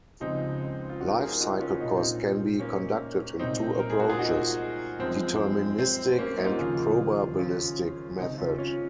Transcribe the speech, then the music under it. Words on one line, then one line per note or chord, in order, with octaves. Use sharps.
Life cycle cost can be conducted in two approaches: deterministic and probabilistic method.
C#2 C#3 F3 G#3 C4 D#4
F4
D#4 F#4
A#4
F4 G#4
D#4 F#4
C#4 F4
C2 A#2 G#3 D#4
F4
C4 D#4
A#3 C#4
C2 A#2 G#3 C4 D#4
A#4
G#4
F#4
F4 G#4
D#4 F#4
F#2 F3 G#3 C4
C4
A#3 C#4
D#4
F4
F#4
D#2 C#3 F3 F4 G#4
C#4 F4
C#2 C3 D#3 G#3 C4 D#4
C#4 F4
C#4 F4